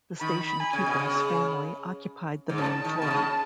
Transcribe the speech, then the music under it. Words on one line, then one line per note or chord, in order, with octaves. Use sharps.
The station keeper's family occupied the main floor.
D#3 B5
G#5
C#3
B2
C#3
G#2
A2 A5
D#3
B2 A5
C#3